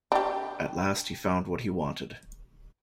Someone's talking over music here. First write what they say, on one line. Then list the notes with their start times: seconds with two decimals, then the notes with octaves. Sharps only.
At last he found what he wanted.
0.12 D4 G4